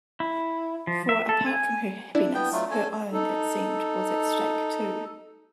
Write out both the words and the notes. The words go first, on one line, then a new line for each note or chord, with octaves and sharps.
For apart from her happiness, her own, it seemed, was at stake too.
E4
F3
E5
A4
G#5
D4 E4
B3 G5
F#3 A3 F4
C#4 A4 G#5
D#4 A4